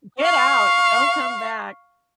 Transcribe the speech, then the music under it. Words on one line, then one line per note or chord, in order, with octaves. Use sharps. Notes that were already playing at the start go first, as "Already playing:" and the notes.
Get out, don't come back.
F5 C#6